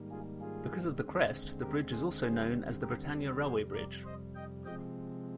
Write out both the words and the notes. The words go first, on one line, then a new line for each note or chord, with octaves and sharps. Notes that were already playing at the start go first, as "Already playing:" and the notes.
Because of the crest the bridge is also known as the Britannia Railway Bridge.
Already playing: G#2 D#3 G3 A#3
F4 G#4
F4 G#4
D#2 D3 G#3 C4
G4 A#4
G#4 C5
D#2 D3 G3 C4 G#4 C5
G4 A#4
F2 C3 G3 G#4 C5
A#4 D5
C5 D#5
D#5 G5
C3 F3 G#3 C4 D#5 G5